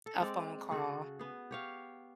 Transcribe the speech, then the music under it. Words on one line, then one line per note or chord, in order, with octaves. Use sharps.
A phone call.
A4
G#3 C4 D5
C#3 F#4 G#4 A4
B3 G#4
G4 C#5 F5